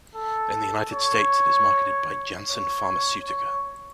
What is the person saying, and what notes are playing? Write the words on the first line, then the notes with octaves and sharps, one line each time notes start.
In the United States, it is marketed by Janssen Pharmaceutica.
A4
C#5
C#5
C#5